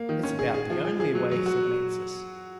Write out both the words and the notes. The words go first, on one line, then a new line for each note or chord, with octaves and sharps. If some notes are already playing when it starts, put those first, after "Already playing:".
"It's about the only way," said Mansus.
Already playing: A#3
D#3
C#4
G#4
G#4
F3
G#4
G#4
F#3
F#3
F#4